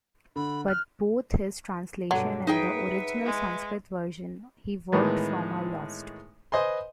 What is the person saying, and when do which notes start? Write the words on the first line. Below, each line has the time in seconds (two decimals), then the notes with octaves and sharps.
But both his translation and the original Sanskrit version he worked from are lost.
0.36 D3 B5
0.68 F6 F#6
2.11 G2 B2 D3 F#3
2.47 D#4 G#4 B4 E5 F#5 G5
3.25 G#3
4.92 A2 D#3 E3 G#3 B3
6.52 B4 C5 D#5 G#5 C6